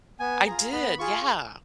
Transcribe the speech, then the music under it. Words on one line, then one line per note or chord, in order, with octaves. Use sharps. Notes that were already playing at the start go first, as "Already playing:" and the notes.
I did, yeah.
B3 G#5
F4 G#4 A#5
B3 B5
F4 G#4 C#6